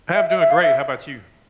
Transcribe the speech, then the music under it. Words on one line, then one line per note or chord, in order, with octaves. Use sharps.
I'm doing great. How 'bout you?
E5
E5
E5
F5
E5